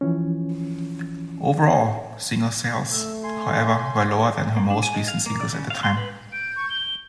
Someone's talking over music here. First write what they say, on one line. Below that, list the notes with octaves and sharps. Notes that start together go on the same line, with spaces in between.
Overall single sales, however, were lower than her most recent singles at the time.
E3 F3 C#4
A3 E6
G#5 C6
A#3
D4
G#5
G#3
F5
A#3
D5
C#3
F5
C6
B4
G6 D7
C#6
G7